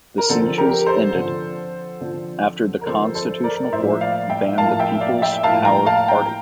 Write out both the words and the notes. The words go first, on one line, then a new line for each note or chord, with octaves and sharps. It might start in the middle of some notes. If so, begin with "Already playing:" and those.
The sieges ended after the Constitutional Court banned the People's Power Party.
A#4
D3 F3 C4 A4
G4 A#4
A4 C5
D3 F3 C4
D3 F3 C4
A#4
D3 F3 C4 A4 C5
A4 C5
A#4 D5
A2 F3 A#3 C5 E5
D5 F5
E5 G5
A2 F3 A#3 F5 A5
E5 G5
D5 F5
E5 G5
A2 F3 A#3 F5 A5
G5 A#5
F5 A5
G5 A#5